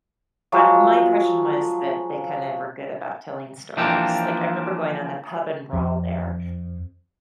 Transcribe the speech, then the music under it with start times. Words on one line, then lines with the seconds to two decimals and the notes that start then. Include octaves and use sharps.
uh, my impression was that they kinda were good about telling stories. Like, I remember going on the pub and brawl there,
0.52 F3 F#3 G#3
3.77 E3 F3 A#3 C4 D4 G4
5.73 F2